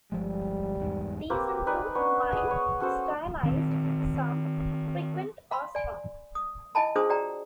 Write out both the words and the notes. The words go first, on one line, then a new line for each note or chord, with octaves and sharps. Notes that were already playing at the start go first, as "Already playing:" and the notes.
These include: "mild", "stylised", "some", "frequent" or "strong".
G1 F3 G3 G#3
E2 G#2
A#3 C4 G4 B4
D#4 B4 D5 G#5
B3 C#4 D4 C#5
G#4 D5 D#6
B3 C#5
C#4 F#4 A4 C5
D#3 C4
F5 B5 C6
D5 G#5
D#6
E4 D#5 G#5 A5 B5
D4 F4 G#4 C5 D#6
F#4 D5 G5 A#5